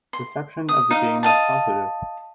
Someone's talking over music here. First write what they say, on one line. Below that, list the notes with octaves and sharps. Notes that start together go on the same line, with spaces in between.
Reception of the game was positive.
C6
D#6
D#4 F5
D#5 F5 A5